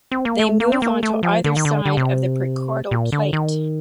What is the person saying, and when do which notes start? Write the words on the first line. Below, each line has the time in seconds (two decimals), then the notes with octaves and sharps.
They move onto either side of the prechordal plate.
0.11 C4
0.25 A#3
0.39 A3
0.60 A#3
0.72 C4
0.82 A#3
1.03 A3
1.23 F3
1.44 D3
1.57 D#3
1.65 D3
1.86 D3
1.97 C3
2.91 A#2
3.12 D3
3.33 D#3